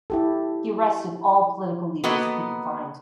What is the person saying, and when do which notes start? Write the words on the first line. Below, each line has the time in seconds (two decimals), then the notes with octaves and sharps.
He arrested all political leaders that he could find.
0.10 E4 G4 A4
2.04 A#3 B3 F#4 A4 D#5